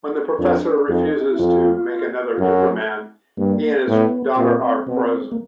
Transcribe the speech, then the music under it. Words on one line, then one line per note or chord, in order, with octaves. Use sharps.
When the professor refuses to make another Inframan, he and his daughter are frozen.
F2 D4
D4
F2 D#4
E4
F2 F4
F4
F#2 F#4
G2 A#3
A2 B3
A#2 C4
C4
B2 C4
A#3